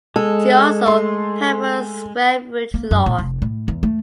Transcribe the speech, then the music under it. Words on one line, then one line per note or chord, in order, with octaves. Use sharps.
See also Penrose square root law.
G#3 A4
A3 C6
A#3
F#2
A#2
F1
A2
E2
A3